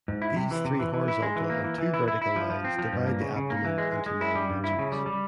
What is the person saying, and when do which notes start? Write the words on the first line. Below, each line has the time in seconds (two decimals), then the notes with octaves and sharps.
These three horizontal and two vertical lines divide the abdomen into nine regions.
0.08 G#2
0.22 E4
0.36 C3
0.51 E3
0.65 C3
0.80 E3
0.94 E3
1.08 E4
1.22 G#3
1.36 E3
1.50 A#3
1.64 E3
1.78 E3
1.94 E4
2.08 E4
2.22 E4
2.36 F3
2.50 F3
2.64 C4
2.79 F3
2.93 G2
3.07 A#3
3.21 C#3
3.36 C#3
3.50 A#3
3.65 E3
3.78 G#3
3.92 G#3
4.06 G#3
4.21 E4
4.35 G3
4.50 G2
4.64 E4
4.79 C#3
4.92 G3
5.06 G3